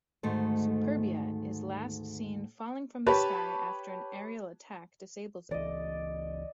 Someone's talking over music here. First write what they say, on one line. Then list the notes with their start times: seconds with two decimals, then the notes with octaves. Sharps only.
Superbia is last seen falling from the sky after an aerial attack disables it.
0.23 D2 G#2 D#3 A3 C5
3.06 G4 B4 C#5 A5 B5
5.51 C#2 E3 D5 D#5